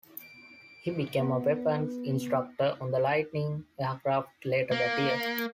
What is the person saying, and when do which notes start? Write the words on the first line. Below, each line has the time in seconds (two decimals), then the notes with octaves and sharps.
He became a weapons instructor on the Lightning aircraft later that year.
0.20 D7
1.19 B3
4.71 A#3